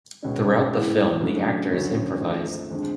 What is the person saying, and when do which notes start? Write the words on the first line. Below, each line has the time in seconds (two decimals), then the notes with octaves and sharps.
Throughout the film the actors improvised.
0.23 C#2 B2 G#3 C#4
0.72 A2 G#3 B3
1.21 C#3 F#3 A3 D4
1.71 D2 D3 F#3 C#4
2.21 G#1 G#2 F3 A3
2.71 F2 D3 G#3